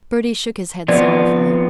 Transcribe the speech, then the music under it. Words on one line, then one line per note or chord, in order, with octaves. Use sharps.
Bertie shook his head sorrowfully.
F3 B3 C4 D5